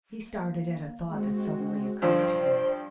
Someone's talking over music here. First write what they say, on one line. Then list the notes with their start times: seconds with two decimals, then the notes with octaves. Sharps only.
He started at a thought that suddenly occurred to him.
0.26 A#3
1.06 G#3 C4 F#4
2.02 G2 F3 C5 D5 G5 C6 E6